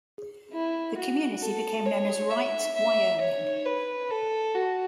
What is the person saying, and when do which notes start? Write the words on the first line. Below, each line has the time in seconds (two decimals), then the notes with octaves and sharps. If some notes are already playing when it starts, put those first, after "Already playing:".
The community became known as Wright, Wyoming.
0.53 E4
0.98 F#4
1.42 A4
1.86 C#5
2.31 E5
2.75 E5
3.21 C#5
3.65 B4
4.11 A4
4.55 F#4